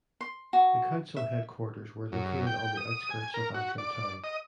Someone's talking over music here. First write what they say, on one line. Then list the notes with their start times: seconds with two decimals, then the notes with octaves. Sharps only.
The council headquarters were located on the outskirts of Antrim town.
0.21 C6
0.53 F#4
1.17 E5
2.12 F#2
2.47 G5
2.77 D#6
3.11 G#5
3.34 A#4
3.54 F#4
3.78 D5
4.24 D#5